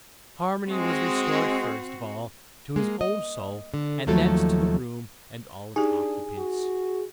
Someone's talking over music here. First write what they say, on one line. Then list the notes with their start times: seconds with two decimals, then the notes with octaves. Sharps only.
Harmony was restored first of all to his own soul, and thence to the room and all its occupants.
0.70 G#3 C4 F#4
2.76 G#3 A#3
3.01 D#5
3.74 D3
4.07 D#2 F3 F#3 A3 A4
5.76 D4 D#4 G4 G#4
6.37 F#4